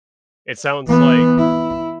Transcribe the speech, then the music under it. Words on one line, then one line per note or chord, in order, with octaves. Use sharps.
it sounds like
E3 B3
E4